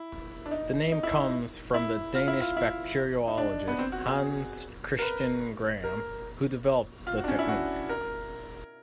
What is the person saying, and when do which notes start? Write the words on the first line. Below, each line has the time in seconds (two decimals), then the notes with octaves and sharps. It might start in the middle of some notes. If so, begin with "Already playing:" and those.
The name comes from the Danish bacteriologist Hans Christian Gram, who developed the technique.
Already playing: E4
0.46 D4
0.51 D#4
0.92 D#4
1.03 E4
1.16 D#4
1.74 E4
2.15 F4
2.28 E4
2.41 F4
2.57 E4
3.28 D#4
3.38 D4
3.68 B3
3.79 C4
3.92 F#4
4.07 G#4
4.99 A#4
5.02 B4
5.84 A#4
7.07 F4
7.17 F#4
7.24 D4
7.28 C#4
7.39 E4
7.48 F#4
7.89 A#4